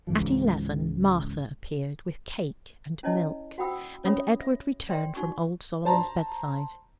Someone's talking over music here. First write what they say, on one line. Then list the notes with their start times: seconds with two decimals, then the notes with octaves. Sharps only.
At eleven Martha appeared with cake and milk, and Edward returned from old Solomon's bedside.
0.07 C#2 G#2 E3 F3
3.03 C#4 E4 C#5 D#5 A5
3.58 F#4 F#5 G5 B5 D#6 E6
4.04 C#4 C#5 E5 B5 D#6
4.40 E5
4.89 D5 G5 C6
5.15 D#4 F#4 C#6
5.85 C5 A5 A#5